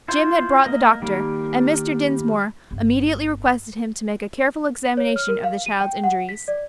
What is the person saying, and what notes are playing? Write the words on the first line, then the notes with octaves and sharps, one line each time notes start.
Jim had brought the doctor, and Mr. Dinsmore immediately requested him to make a careful examination of the child's injuries.
E4 F4 C5
A#3 D#5
D#3 G3 A#3
G1
C#5
F6
A#4
F5
D#7
G5
F#5
B6
D5